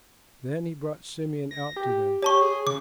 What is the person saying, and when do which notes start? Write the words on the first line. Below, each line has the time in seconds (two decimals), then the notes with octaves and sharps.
Then he brought Simeon out to them.
1.51 A#6
1.76 G4
2.22 G4 C#5 A5 C#6
2.42 G#4
2.67 C#3 D6